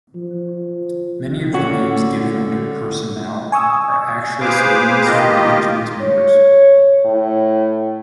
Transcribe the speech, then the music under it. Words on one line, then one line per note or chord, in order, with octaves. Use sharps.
Many of the names given under 'Personnel' are actually pseudonyms for the Incubus members.
F3
D3 C#4 F#4
G#5 C#6 D#6 E6
G#4 B4 C5 F5 D6
D#3 A#3 F4 G4 D#5
C#5
A2